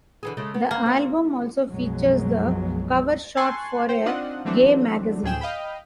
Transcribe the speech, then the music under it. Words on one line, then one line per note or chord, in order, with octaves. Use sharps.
The album also features the cover shot for a gay magazine.
D3 E3 G#4
C#3 G#3 A3
B3
A#3
C4
B1 F#2 B2 F3 F#3 G#3
G#5 A5 C6 C#6 F#6
C5 G5
C4 D4 D#4 F4 D#5 F#5
E3 F#3 A3 C4 D4
D2 A2 G#4 G5 E7
D#5 F5 G5 B5